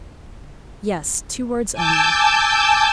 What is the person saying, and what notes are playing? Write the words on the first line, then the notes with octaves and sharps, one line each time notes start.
"Yes; two words only."
G#5 A5 D6 E6 G6